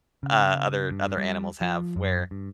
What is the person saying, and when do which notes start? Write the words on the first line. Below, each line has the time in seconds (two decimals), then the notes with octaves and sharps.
uh, other other animals have where,
0.23 C#3
0.91 G2
1.18 G3
1.61 F3
1.96 F#2
2.31 G2